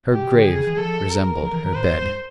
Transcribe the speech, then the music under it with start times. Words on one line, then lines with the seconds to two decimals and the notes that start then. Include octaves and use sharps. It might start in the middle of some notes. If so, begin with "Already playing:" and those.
Her grave resembled her bed.
0.12 B2 G4
0.23 B2
0.34 D3
0.44 D3 G#4
0.55 C#3
0.67 E3
0.77 F3 A4
1.09 A#4
1.43 F3
1.53 E3
1.64 D#3
1.75 A2 C5
1.92 F#2
2.02 G2